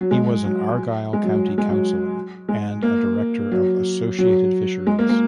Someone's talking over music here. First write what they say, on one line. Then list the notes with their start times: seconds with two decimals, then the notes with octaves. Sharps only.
He was an Argyll County Councillor and a director of Associated Fisheries.
0.01 F#3
0.11 G#3
0.45 F#3
1.13 G#3
1.24 F#3
1.46 F#3
1.58 G#3
1.69 F#3
2.49 G#3
2.83 A#3
3.51 F#3
4.19 F#3
4.87 G#3
4.99 A#3
5.09 A#3